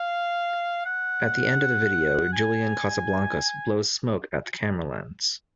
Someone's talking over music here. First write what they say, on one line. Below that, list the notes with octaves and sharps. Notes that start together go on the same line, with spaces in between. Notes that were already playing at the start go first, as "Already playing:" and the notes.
At the end of the video, Julian Casablancas blows smoke at the camera lens.
Already playing: F5
F#5
G#5